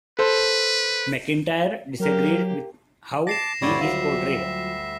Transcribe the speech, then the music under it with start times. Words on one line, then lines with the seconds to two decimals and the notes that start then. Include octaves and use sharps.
McIntyre disagreed with how he is portrayed.
0.19 A4 B4 C5
2.00 F#3 A#3 G4 A#4
3.27 A5 D6 A#6 C7 E7
3.62 D2 G2 A#2 G3 E4 C#5 D5
3.81 F#3 F4 E5